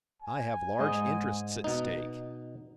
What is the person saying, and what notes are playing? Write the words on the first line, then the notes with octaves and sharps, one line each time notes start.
I have large interests at stake.
G#5
G#2 D#5
B2 D#4